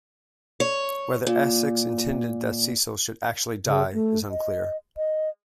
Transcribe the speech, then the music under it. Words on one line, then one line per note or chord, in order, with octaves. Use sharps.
Whether Essex intended that Cecil should actually die is unclear.
C#5
A#2
C#3
A3
D#5
D#5